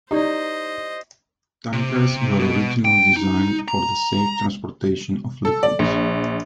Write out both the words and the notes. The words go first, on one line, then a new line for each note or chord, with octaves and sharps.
Tankers were originally designed for the safe transportation of liquids.
D#4 E4 G4 C5 D5 D#5
C3
B2
G5
D#4
A#5
A4
D5
A#1